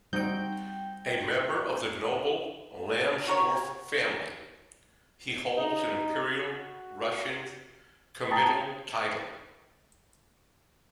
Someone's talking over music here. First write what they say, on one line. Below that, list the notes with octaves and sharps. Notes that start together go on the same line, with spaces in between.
A member of the noble Lambsdorff family, he holds an Imperial Russian comital title.
G3 C4 D#4 F#4 G5 G6
F#4 A#4 C#5
D#4
F#4
G5 A5 A#5 D#6 A6